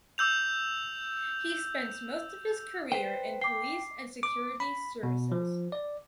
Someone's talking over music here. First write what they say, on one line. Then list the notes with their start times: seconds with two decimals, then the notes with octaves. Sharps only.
He spent most of his career in police and security services.
0.18 D6 E6 G6 F7
2.92 B4 C5 G5
3.41 G5 D6 C7
4.23 D6
4.60 B5
5.03 B2
5.32 F3
5.72 D5